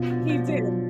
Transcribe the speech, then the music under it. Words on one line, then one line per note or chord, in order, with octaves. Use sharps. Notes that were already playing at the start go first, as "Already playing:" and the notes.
He did.
Already playing: B2 F3 C#4
D3
B2
F3
F#3